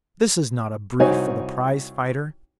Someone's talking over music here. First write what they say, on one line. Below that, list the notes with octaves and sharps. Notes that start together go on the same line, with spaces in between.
This is not a brief for the prize-fighter.
C2 C4 D#4 F#4 C#5 G#5